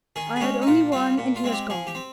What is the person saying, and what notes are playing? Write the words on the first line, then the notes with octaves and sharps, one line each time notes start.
I had only one, and he has gone.
D#3 G#4
G#4
G#3 C#4 G4
D#4
A#2 F4
G3 C4 F4
A#2
F4
G#3 C4
G4
F3 G#4
G4
C4